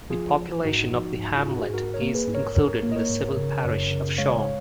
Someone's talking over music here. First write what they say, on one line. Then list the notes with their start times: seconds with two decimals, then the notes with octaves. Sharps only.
The population of the hamlet is included in the civil parish of Shorne.
0.10 F3 F4 G#4
0.37 F3
0.64 G#2 D#4 F#4
0.92 F3
1.19 G#2
1.38 F4
1.47 G#2 F#4
1.62 G#4
1.73 G#2 F#4 A#4
1.94 A#4 C#5
2.01 A#3
2.14 G#4 B4
2.27 G#2
2.34 A#4 C#5
2.55 G#2 A#4 C#5
2.83 A#3
2.91 D#5
2.96 A#4 C#5
3.10 G#2
3.37 C#3
3.64 F#2
3.91 C#3
4.18 G#3 C#5 F5